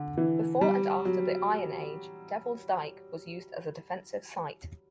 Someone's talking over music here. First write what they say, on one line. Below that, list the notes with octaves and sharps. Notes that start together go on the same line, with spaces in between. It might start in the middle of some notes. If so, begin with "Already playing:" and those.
Before and after the Iron Age, Devil's Dyke was used as a defensive site.
Already playing: D3
E3
G3
F#3